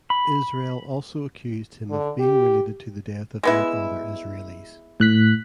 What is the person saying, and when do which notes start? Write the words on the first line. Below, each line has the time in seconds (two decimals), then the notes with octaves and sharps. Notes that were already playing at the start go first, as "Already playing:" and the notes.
Israel also accused him of being related to the death of eight other Israelis.
0.10 B5
1.91 D3
2.20 G4
3.43 G#3 B3 E4
5.00 A2 F#6 B6